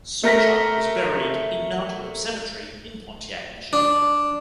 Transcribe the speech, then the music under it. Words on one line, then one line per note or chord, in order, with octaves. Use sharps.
Sawchuk was buried in Mount Hope Cemetery in Pontiac, Michigan.
A3 A#4 A#6 B6
D4